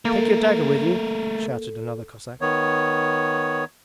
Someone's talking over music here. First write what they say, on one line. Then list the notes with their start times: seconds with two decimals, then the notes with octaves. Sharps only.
Take your dagger with you!' shouted another Cossack.
0.05 A3 A#3 A4 A#4
2.41 D#3 B3 C#5